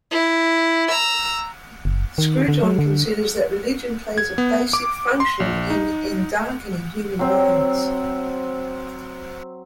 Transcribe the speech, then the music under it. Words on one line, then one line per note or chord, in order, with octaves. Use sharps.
Scruton considers that religion plays a basic function in "endarkening" human minds.
E4
A#5 E6
F#1
D#3
D3
F#3
D3
G#6
B3
D6
C6
A#1
D#4
F#3 C4 G5